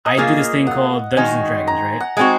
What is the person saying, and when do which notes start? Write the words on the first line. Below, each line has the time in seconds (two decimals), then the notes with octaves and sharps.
I do this thing called Dungeons and Dragons, right?
0.06 D#5
0.17 F#3 A#3 F4 G#4 F5
0.67 F#5
1.17 D#3 G#3 D#4 F#4 G#5
1.67 A#5
2.00 F#5
2.17 G#3 C4 D#4 F#4 G#5